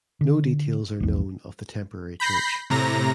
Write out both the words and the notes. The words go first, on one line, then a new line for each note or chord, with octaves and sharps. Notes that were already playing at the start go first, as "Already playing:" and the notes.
No details are known of the temporary church.
D3
A#1 E2
B5 G6 A#6 C7
A2 C3 A#5 A#6